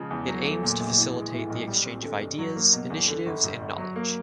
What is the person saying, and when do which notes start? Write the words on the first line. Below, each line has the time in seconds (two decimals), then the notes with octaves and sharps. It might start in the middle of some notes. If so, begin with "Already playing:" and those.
It aims to facilitate the exchange of ideas, initiatives and knowledge.
Already playing: C#3 F3 G#3
0.11 E2
0.28 F#3
0.45 A3
0.63 A#2
0.80 A#1
0.98 E3
1.16 G#3
1.34 A2
1.50 B1
1.68 G3
1.86 C4
2.03 D3
2.21 G2
2.39 F#3
2.56 A#3
2.73 B2
2.90 E2
3.08 D3
3.26 G1
3.44 G2
3.61 G1
3.78 F#3
3.96 A#3